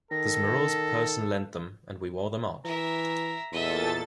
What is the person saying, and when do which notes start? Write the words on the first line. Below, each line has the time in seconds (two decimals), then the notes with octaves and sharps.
This morose person lent them, and we wore them out.
0.11 D#3 A4 A#6
2.65 E3 A#4 E5 A#5
3.53 E2 A#2 A4 D#5 E5 A6